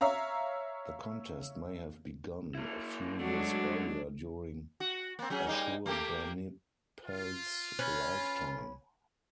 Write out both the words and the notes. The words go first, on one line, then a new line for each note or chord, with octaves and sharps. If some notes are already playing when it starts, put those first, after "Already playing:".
The contest may have begun a few years earlier during Ashurbanipal's lifetime.
C#5 E5 F5 A#5
A#3 E4
F#3 G#3 A3 D4 F#4
F#4
A#3 C4
F#3 C#4 G#4
G3 A#3 D#4
A3 A#3 G4
F4
C#4 B4